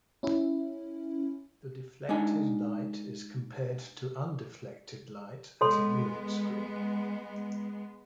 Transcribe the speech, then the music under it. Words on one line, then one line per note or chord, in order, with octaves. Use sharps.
The deflected light is compared to undeflected light at a viewing screen.
C#4 E4
G#3 D4 D#4 G#5
G#3 B3 A4 C#5 C6